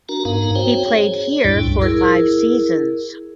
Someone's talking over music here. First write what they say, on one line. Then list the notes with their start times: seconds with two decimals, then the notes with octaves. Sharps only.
He played here for five seasons.
0.09 D4 F#4 A#4 A#5
0.25 G#2 B3 D#4 A#4 F5 A#5
0.55 C4 F#4 C5 C#5 G5
0.86 G#4 C#5
1.44 C2 F#2 A2 G3 D4 E4
1.81 E4 G#4 A#4